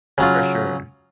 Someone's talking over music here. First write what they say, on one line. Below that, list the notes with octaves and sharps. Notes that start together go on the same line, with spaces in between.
For sure.
C#3 F#3 F4